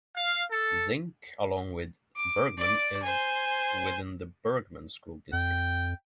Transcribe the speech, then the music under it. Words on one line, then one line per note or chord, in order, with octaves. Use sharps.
Zinc, along with Bergman, is within the Bergman School District.
F5
A4
D6
D5 D6
C5 G#5
F2 G5